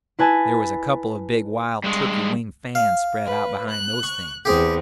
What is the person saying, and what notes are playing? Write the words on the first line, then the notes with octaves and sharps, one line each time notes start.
There was a couple of big wild-turkey-wing fans spread out behind those things.
E4 B4 G#5 A5
G2 G#3
F5
B4
F#6
C#6
E2 C4 G4 G#4